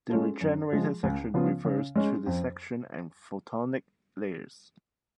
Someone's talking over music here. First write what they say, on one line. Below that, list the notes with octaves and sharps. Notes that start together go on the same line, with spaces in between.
The regenerator section refers to the section and photonic layers.
G#3 C#4 F4 A4
F#2
F3 G#3
C#2
C#3 F3 B3 F4
C#3
G#3 C#4
F2